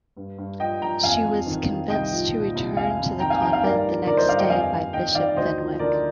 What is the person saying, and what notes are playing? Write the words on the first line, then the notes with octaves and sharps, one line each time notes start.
She was convinced to return to the convent the next day by Bishop Fenwick.
G2
G2
F3 D#5 G5
F3 G5 A#5
F2 F5 G#5
F2
D#3
D#3
C2 D#5 G5
F3
A#2
C2
F2 F5 G#5
F2
D#3 G5 A#5
F5 G#5
D#3 G5 A#5
F5 G#5
G2 A#4 D5
F3
D3 A#4 D5
C5 D#5
G2 D5 F5
D#5 G5
F2 F5 G#5
F2
D#3 D#5 G5
D#3 D5 F5
D2 C5 D#5
F3
D3 A#4 D5